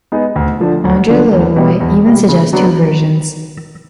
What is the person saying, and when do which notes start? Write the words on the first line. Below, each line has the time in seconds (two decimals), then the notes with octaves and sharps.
André Leroy even suggests two versions.
0.12 G#3 B3 D#4 G#4
0.36 D2
0.60 D3 F3 A3 D4
0.84 D2
1.09 D3 F3 A3 D4
1.32 E2
1.56 B2 G3
1.80 E2
2.05 B2 G3
2.29 C#3
2.53 F#3 B3 D4 F#4